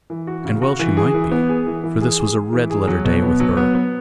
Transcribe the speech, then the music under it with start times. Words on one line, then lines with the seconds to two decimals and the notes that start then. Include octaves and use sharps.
And well she might be, for this was a red-letter day with her.
0.10 E3
0.27 F#4
0.45 C#3
0.62 F#4
0.79 E3
0.97 G#4
1.14 E3
1.32 B3
1.49 G#4
1.67 E3
1.84 E3
2.01 G#4
2.18 G#4
2.35 G#4
2.53 E3
2.70 G#4
2.88 F#3
3.05 B2
3.22 B3
3.40 F#3
3.57 B3
3.75 B3